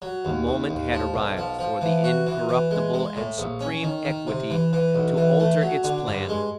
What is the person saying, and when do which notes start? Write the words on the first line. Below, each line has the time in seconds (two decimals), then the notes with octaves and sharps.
The moment had arrived for the incorruptible and supreme equity to alter its plan.
0.02 F#3
0.25 D#2
0.47 D#2
0.69 D#2
0.92 F3
1.14 B1
1.37 F3
1.59 F3
1.81 E3
2.04 F#4
2.27 E3
2.49 E3
2.71 G#3
2.94 G#3
3.16 A2
3.38 A#1
3.61 C#4
3.83 D#3
4.05 D#3
4.27 C3
4.50 E3
4.73 E3
4.95 B1
5.17 E3
5.40 A3
5.61 F#3
5.84 D3
6.07 G2
6.29 G#3